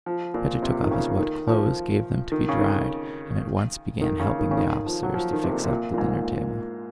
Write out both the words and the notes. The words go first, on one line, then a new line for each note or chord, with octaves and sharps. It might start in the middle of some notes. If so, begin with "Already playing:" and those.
Petya took off his wet clothes, gave them to be dried, and at once began helping the officers to fix up the dinner table.
F3
A#2
C3
D#3
C#3
D#3
F3
D#3
C#3
D#3
D#3
C#3
D#3
C#3
D#3
F3
F#3
F3
D#3
C3
A#2
C3
A#2
A#2
G#2